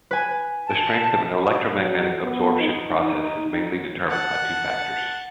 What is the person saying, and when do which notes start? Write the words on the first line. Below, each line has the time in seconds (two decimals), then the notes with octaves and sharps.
The strength of an electromagnetic absorption process is mainly determined by two factors.
0.11 B4 G#5
0.66 A5
1.75 F#3
2.23 B3
2.59 D#4
3.03 D#4
4.11 F#5 A5